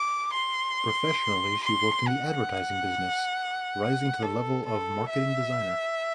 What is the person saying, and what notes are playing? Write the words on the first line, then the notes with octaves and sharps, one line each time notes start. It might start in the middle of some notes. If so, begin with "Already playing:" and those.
Professionally she worked in the advertising business, rising to the level of marketing designer.
Already playing: D6
C6
C6
F#5
A4
A4
E5